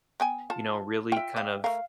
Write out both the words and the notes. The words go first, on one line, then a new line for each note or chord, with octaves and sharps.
you know, really kind of,
B3 G5 G#5
F4 A5
F4 E5 G5
D5 F5
A3 A#4 F5